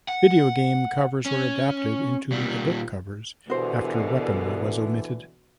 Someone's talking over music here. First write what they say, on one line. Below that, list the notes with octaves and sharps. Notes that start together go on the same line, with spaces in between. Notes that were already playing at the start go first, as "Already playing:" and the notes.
Video game covers were adapted into the book covers after weaponry was omitted.
F#5
C#4
A#2 G3
C2 B2 D3 E3 F#4 C5